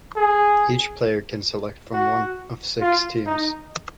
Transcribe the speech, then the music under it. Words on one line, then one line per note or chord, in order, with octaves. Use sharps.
Each player can select from one of six teams.
G#4
F#4
F4
D#4